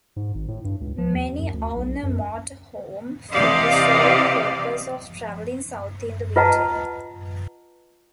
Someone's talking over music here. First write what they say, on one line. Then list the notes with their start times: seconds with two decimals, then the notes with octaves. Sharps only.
Many own a motorhome for the sole purpose of traveling south in the winter.
0.16 G#2
0.34 G#1
0.48 A2
0.64 G2
0.81 C#2
0.98 F3
1.14 D#2
1.39 F#2
1.54 D2
1.76 B1
2.03 F#2
3.31 C3 E3 G4 D5 D#5 F5
6.36 F4 B4 D#5 F#5 A5 A#5